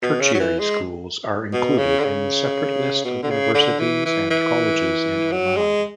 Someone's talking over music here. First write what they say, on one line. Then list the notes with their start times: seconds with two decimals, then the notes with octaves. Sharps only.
Tertiary schools are included in the separate list of universities and colleges in Oman.
0.02 B2
0.21 C#3
0.35 F#3
0.40 E3
0.59 G#3
1.53 B2
1.78 C#3
2.00 D3
2.04 C#3
3.05 B2
3.23 D3
3.30 C#3
3.54 D3
3.80 E3
4.05 E3
4.31 E3
5.32 F#3
5.57 G#3